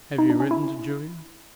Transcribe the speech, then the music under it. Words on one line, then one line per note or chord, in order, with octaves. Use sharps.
"Have you written to Julia?"
D#4
D4
C#4
E4